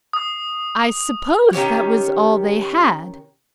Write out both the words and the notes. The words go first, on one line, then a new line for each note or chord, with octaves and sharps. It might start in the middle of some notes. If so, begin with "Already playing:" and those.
"I suppose that was all they had."
D#6
D#3 C#4 G4 C#5